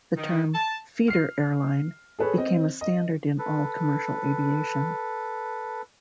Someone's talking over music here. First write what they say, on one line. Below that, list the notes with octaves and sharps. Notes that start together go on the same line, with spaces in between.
The term "feeder airline" became a standard in all commercial aviation.
D#3
A5
F6 C7
G#4 A4 B4 C#5
C4 D#5
D#5
A4 B4